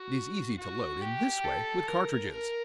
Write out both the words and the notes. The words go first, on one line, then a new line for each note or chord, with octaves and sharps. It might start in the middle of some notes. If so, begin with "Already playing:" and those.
It is easy to load in this way with cartridges.
Already playing: F#4
F#4
G4
A4
A#4
A#4